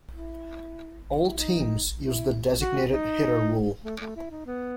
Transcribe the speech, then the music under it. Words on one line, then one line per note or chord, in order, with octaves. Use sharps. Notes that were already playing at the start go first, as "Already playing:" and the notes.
All teams use the designated hitter rule.
E4
E4
D#4
E4
F#4
D#4
A3
A3
E4
D#4
B3